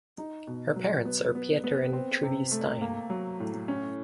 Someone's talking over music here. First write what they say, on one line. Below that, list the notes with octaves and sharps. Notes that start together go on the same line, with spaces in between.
Her parents are Pieter and Trudie Steyn.
D#4
B2
F#3
B3
B3
B3
C4
C3
A3
A#3
F#3
A2
C#4